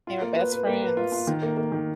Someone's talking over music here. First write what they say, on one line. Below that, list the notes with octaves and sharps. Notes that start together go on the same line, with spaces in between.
They were best friends.
F4
A#3
B4
B4
A#3
B4
F4
F4
D#3
A#3
A#3
D#3